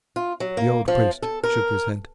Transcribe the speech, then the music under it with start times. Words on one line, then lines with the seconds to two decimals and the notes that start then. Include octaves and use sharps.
The old priest shook his head.
0.16 F4
0.40 F#3
0.57 A#3
0.88 F3
1.22 A4
1.44 A#4